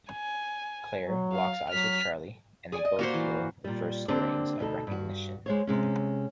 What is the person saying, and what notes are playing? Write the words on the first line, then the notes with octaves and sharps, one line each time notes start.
Claire locks eyes with Charlie, and they both feel the first stirrings of recognition.
G#5
F#3
F5
F#3 F6 B6
G#4 D5 G#5
D#5
A#2 G3 A#3 F#4 C5 F5
E3
A#2 G3
D3 A#3 C4 D4 G4 D5
D2 B2 D#4 A4
G2 F#4
G#3 C5 C#5
C3 G#3 C#4